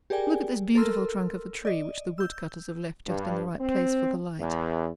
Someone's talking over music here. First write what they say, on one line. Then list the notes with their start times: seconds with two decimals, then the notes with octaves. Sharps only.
Look at this beautiful trunk of a tree, which the wood-cutters have left just in the right place for the light.
0.10 G4 G#4 A#4 D5 G5 G#5
0.75 A4 A#4 C6 E6 F6
1.65 D5 D#5
2.18 E6 G6
3.07 G2
3.61 C4
4.40 E2